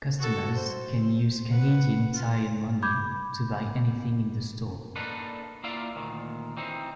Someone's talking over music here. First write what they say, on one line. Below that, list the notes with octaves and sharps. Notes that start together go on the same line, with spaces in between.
Customers can use Canadian Tire Money to buy anything in the store.
F#4 A4
C5
C5
B4 F#5
F4
B5 D6 G6 G#6
A#3 D4 D#4 A4 B4
A#3 E4 F4 D5 F5
D2 A#2 D#3
E3 C4 D#4